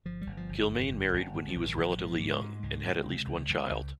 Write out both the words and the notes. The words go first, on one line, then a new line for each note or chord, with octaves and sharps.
Kilmaine married when he was relatively young and had at least one child.
G1 F3
G1 G3
F3
G1
F2
G1
G1
G#2 D#3
F3
A#1
D#3
A#1
G#2 F3
G#2
G#3
G#2
C#2 G#3
C#2
C3
C#2
C#2
C#2